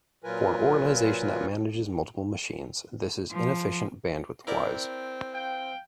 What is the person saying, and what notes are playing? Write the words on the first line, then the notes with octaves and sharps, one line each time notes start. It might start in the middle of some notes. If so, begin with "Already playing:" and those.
For an organization that manages multiple machines this is inefficient bandwidth-wise.
A#2 F#3 F4 A#4 B4 G#5
F3
C4 E4 A#4 D5
F5 G5